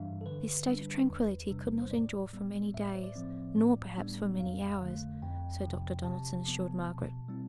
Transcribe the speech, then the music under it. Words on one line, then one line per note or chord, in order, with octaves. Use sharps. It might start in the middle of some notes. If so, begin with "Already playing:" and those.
This state of tranquillity could not endure for many days, nor perhaps for many hours; so Dr. Donaldson assured Margaret.
Already playing: G2 E3 G3 D4 E5 F5
A4
D3 B4
G3 D4
E2
C3 G3 D4
C5
A2 D5
G3 B3
A2 E5
D5
C5
D5
F3 C4
A2
G3 B3 D4
F2 F5
D3 A3
F2 G5
F3
C3
C3 A5
F3 B3
B2
G3 C4 E4